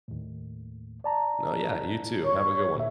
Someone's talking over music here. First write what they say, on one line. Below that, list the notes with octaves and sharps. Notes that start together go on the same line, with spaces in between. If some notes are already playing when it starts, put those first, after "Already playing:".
No. Yeah. You too. Have a good one.
D#2 A2
D5 A5 A#5
C#5 C#6
A#2 E5